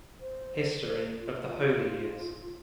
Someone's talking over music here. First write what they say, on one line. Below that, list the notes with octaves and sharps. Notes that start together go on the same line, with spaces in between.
History of the Holy Years.
C5
F4